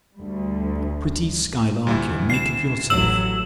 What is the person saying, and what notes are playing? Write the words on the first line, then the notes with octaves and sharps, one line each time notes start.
A pretty skylark you'll make of yourself!
D2 G3
D2 G3 E4
C7 E7
A1 F#3 E6 E7 F#7